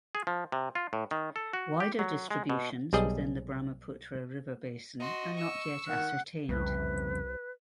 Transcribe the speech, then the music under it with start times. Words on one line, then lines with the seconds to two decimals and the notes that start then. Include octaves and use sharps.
Wider distributions within the Brahmaputra River basin are not yet ascertained.
0.15 G#4
0.27 F3
0.52 C3
0.75 F4
0.93 A2
1.11 D#3
1.36 A4
1.53 F#4
1.80 G4
1.99 F#3
2.31 G#3
2.50 B2
2.93 B1 G3 G#4 D#5
5.00 F#4 D#5 C6
5.36 C#6 E6
5.89 D#3 F#5
6.49 C2 F2 C#3 G3 B4